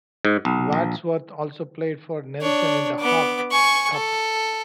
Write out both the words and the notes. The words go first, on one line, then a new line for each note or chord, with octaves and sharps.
Wadsworth also played for Nelson in the Hawke Cup.
G#2
B1
A#1
D4 C#5
B3 D6
G#5 C#6
A4